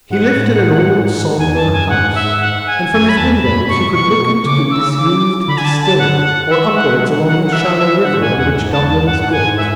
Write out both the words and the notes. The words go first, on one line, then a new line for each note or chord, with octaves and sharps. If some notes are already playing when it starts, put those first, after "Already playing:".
He lived in an old sombre house and from his windows he could look into the disused distillery or upwards along the shallow river on which Dublin is built.
G#2 F#5
A2
G#2
E2 G#5
A5
F#2
G#5
F#2
G#2 F#5
E5
F#5
G#5
F#2 G#5
B5
E2 A5
F#2 B5
G#2 C#6
B2 C#6
C#3 D6
E6
D6
D3 B5
G#5
A5
A5
F#5
F#5
E3 E5
G#3
F#5
G#3
F#3
E3
F#5
F#3
F#5
E3 E5
E3 E5
D3 F#5
G#2 G#5
E2 F#5
G#2
A5
E2
A5
G#2 F#5
F#2
G#2 F#5
G#5
E5